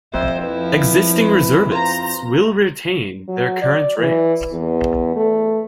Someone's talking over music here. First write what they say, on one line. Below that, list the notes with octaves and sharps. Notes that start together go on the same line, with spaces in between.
Existing reservists will retain their current ranks.
F2 C5 E5
F3 E4 B4
B4
F4 C5 A#5
F#3
D5
E3
E2
A3